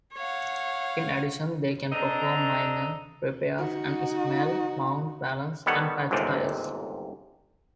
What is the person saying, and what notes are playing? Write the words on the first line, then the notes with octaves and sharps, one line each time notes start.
In addition, they can perform minor repairs and sell, mount, balance, and patch tires.
C#5 F5 F#5
C4 D4 A4 D#5 A#5
D#4 F#4
D#3 G3 B3 A4 C#5 F#5
G1 D#2 G#2 C3 C4 D5